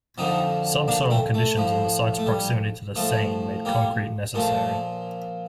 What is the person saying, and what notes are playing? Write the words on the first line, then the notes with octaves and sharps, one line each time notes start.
Subsoil conditions and the site's proximity to the Seine made concrete necessary.
F2 D3 F3 C4 D#4
A#3 D4
A3 C4
A3
A2 F3
A3
G3
A2 F3 A3
G3 A#3
A#2 F3 A3